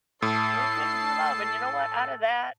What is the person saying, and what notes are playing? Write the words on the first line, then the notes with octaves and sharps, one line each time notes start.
do things you love and you know what, out of that.
A2 A4 A5 C7